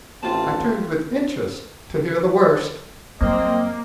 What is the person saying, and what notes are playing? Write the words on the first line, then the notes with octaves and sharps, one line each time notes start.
I turned with interest to hear the worst.
A1 C4 F4 A5
G2 F#3 A#3 C4 D#5